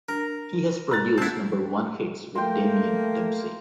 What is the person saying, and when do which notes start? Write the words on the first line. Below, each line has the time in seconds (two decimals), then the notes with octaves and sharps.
He has produced number one hits with Damien Dempsey.
0.09 D4 A#4
0.91 A#5 F#6 A6
1.18 A#3 C4 C#4 E4 F#5 A5
2.35 A3 A#3 G5 C6